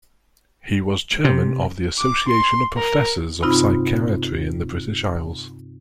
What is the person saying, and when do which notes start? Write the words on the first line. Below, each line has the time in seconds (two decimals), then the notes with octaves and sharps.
He was Chairman of the Association of Professors of Psychiatry in the British Isles.
1.24 C3
1.97 D6
2.28 C6
2.76 A#4
3.42 G2 C3 C4 D#4 F4 B5